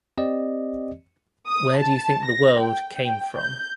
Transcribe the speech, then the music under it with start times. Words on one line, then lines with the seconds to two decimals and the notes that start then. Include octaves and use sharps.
Where do you think the world came from?
0.18 C4 G4 D5 D#5
1.47 D#6
1.77 A5
2.26 A#6
2.60 G5
2.95 G5
3.39 G6